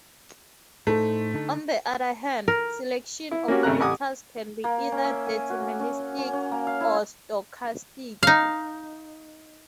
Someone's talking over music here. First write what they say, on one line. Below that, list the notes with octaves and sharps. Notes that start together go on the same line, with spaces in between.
On the other hand, selection operators can be either deterministic, or stochastic.
A2 A3 D#4 C5
D3 D#4 A4
A#4
E4
A#3 C#4 F#4 G4
G#1 C#3 A3 A#5 F#6
A1 G4 F#5 G#5 D6 D#6
A#3
C#4
E5
G#5
F#4
C#4
C#4
C#4
A#3
F5
E4
D#4 F5